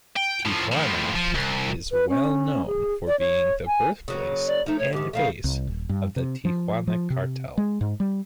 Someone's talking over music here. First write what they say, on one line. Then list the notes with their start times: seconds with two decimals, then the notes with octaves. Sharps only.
Tijuana is well known for being the birthplace and base of the Tijuana Cartel.
0.16 G5
0.46 A2 F3
0.72 A2 F3
1.16 F3
1.35 C2
1.92 B4
2.09 C#4
2.67 G#4
3.07 D5
3.20 C#5
3.67 G#5
4.08 C#3 F#3 A#3
4.46 D5
4.66 F3 A3 D#4
4.78 C#5
4.93 G#2 D#3 G4
5.13 C#3 F3 A3 F5
5.44 C2
5.67 D#1
5.89 G2
6.16 C3
6.45 F3
6.87 F3
7.10 C3
7.58 G#3
7.81 G#2
8.00 G3